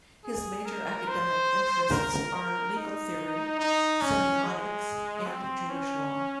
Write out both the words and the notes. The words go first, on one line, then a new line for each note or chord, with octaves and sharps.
His major academic interests are legal theory, semiotics, and Jewish law.
G#4
A#4
C5
A#4
A#4
D#4
D#4
C#4
G#3
C4
C#4